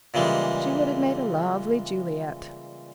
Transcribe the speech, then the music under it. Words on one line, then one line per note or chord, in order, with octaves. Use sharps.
She would have made a lovely Juliet.
A#2 C#3 E3 G3 G#3